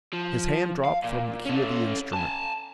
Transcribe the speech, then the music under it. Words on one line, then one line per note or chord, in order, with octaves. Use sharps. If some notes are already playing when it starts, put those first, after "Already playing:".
His hand dropped from the key of the instrument.
F3
F5
A#2
C#4 A4
G#5 A5